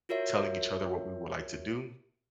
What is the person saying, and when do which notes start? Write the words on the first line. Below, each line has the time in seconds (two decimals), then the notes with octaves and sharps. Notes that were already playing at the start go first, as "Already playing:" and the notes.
telling each other what we would like to do
0.09 F4 F#4 A#4 C#5 E5